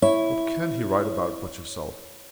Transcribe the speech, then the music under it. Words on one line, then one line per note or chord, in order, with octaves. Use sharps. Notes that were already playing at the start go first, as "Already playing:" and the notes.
What can he write about, but yourself?
E4 C#5